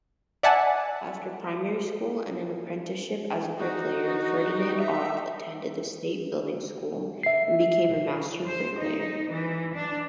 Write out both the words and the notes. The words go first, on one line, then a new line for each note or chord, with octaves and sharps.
After primary school and an apprenticeship as a bricklayer, Ferdinand Auth attended the state building school and became a master bricklayer.
D5 E5 F#5 G#5 A5
D#4 F#4
E5
E5 C7
C5
D#4
E3
D4